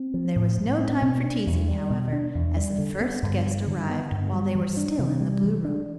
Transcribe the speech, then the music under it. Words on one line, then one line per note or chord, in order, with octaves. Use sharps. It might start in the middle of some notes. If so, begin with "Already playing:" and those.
There was no time for teasing, however, as the first guest arrived while they were still in the blue room.
Already playing: C4
F3
A2
A2
C4
B2
D4
E2
G3
B2
D4
E2
G3
D3
B3
G2
G3
D3
B3
G2
G3
E3
D4
C3
G3
E3
D4